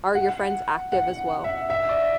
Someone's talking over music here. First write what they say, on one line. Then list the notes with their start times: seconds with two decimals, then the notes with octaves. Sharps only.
Are your friends active as well?
0.15 F#5
0.92 F#5
1.44 E5
1.70 E5
1.89 D5